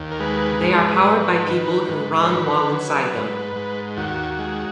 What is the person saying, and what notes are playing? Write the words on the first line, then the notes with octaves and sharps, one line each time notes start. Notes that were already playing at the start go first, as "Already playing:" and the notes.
They are powered by people who run while inside them.
Already playing: D#2
A#4
G#3 B4
G#2
G#2
D#3
G#2
C#5
D#3 B4
F#3
G#2
G#2
D#2 F#4
G#3